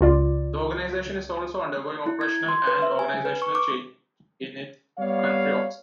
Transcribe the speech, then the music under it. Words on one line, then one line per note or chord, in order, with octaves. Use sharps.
The organization is also undergoing operational and organizational change in its country offices.
C#2 F4 D5
E4
G#6
C6
B4
E5
G#5
B4
C#6
D6
G3 B3 C#5 D5 F5